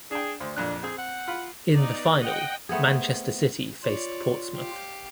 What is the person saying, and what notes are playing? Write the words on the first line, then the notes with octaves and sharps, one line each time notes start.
In the final, Manchester City faced Portsmouth.
D4 G#4 G5
D2 C5
F2 A#2 D4 F#6
C4 G#4
F#5
F4 B5
B3 D#4 D5
D#5 F#5 G5
A3 B3 C4 G#4
F4 C#5 D5
G4 F5